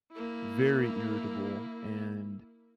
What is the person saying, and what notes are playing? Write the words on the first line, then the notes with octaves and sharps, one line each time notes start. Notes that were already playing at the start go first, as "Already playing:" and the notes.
very irritable, and,
A#3 E4